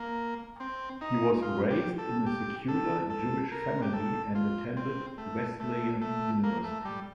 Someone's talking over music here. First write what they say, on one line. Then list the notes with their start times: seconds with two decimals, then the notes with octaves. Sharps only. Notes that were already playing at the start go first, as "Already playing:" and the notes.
He was raised in a secular Jewish family, and attended Wesleyan University.
Already playing: A#3
0.60 C4
1.01 D#4
1.42 F4
1.70 G4
1.98 A4
2.26 G4
2.68 A4
3.10 A4
3.52 A#4
3.82 G4
3.93 A4
4.35 F4
4.77 C4
5.18 A3
5.60 A3
6.02 A3
6.43 A#3
6.64 A3
6.85 G3